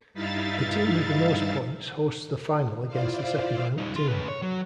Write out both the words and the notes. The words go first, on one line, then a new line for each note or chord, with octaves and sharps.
The team with the most points hosts the final against the second-ranked team.
G2 D#4 E4 E5 F5 A6
E4 F4 C5 D5 F5
G3 D#4
E4 C6
C#3 B4
C#5
F#3